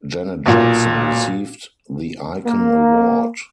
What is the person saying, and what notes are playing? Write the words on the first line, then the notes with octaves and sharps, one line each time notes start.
Janet Jackson received the icon award.
B1 A#2
A#3